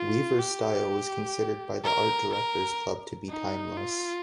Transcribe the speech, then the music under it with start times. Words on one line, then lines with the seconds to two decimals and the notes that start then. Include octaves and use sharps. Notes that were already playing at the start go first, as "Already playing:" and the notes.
Weaver's style was considered by the Art Directors Club to be "timeless".
Already playing: F4
0.39 G4
1.84 A#4
2.32 A#4
3.29 D#4
3.77 F4